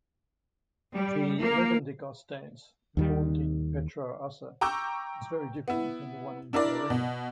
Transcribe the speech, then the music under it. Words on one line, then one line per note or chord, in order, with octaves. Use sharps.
The Levendikos dance performed in Petroussa is very different from the one in Florina.
G3
A#3
D#2 D#3 G3
G5 A#5 C#6 D6 E6 G6
B3 E4
D4 E4 A#4 D5
B2